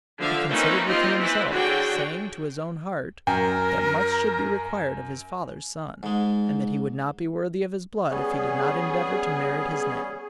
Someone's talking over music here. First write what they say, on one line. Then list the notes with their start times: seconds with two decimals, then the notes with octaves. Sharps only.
He considered within himself, saying to his own heart, that much should be required of his father's son, and that he would not be worthy of his blood if he did not endeavour to merit his name.
0.19 D3 F3 E5 F5
0.50 A#3 C4 C#4 D#4 B4 E5
0.86 C4 D#4 F4 G4 D#5
1.21 E3 E4 B4 C5
1.51 D3 D4 F#4 G#4 C#5 G5
3.27 F#2 A#4
6.03 G#2 G#3
8.10 G3 B3 C#4 G#4